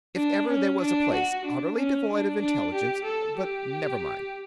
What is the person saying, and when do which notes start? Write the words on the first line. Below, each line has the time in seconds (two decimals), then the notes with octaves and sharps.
If ever there was a place utterly devoid of intelligence-but never mind!
0.15 D4
0.47 C#4
0.80 D4
1.12 F#4
1.45 D4
1.76 C#4
2.09 D4
2.40 D4
2.72 G4
3.04 A4
3.37 G4